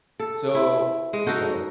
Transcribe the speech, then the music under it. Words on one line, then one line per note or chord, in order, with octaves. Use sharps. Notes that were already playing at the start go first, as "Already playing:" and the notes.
So, you know
A4
E4
G#3
D#4 F#4 A4